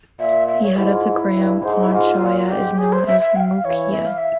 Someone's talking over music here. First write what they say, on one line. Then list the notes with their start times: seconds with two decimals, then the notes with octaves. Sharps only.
The head of the Gram Panchayat is known as Mukhiya.
0.19 A#2 E5
0.48 E5
0.63 C#5
0.76 G#2 E4
0.91 F4
1.06 F4
1.10 E4
1.35 G2
1.63 G#2 C5
1.82 E4
1.91 G#2 G4
1.95 F4
2.20 A#2
2.49 G#2 G4
2.78 G#4
2.93 C5
3.06 E5
3.21 E5
3.36 G5
3.40 F5
3.65 E3 C#5
3.92 E5
4.06 F5
4.18 E5